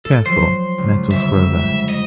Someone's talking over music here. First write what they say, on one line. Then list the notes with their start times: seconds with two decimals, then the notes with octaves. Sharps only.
Careful, nettles grow there.
0.05 A4
0.26 F3 F#3 C5
0.78 C#2
1.11 G1 F2 G#3 E5
1.89 D#5